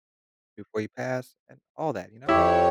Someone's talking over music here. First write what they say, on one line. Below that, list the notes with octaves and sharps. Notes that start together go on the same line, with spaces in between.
before he passed, and all that, you know?
F2 E4 G4 C#5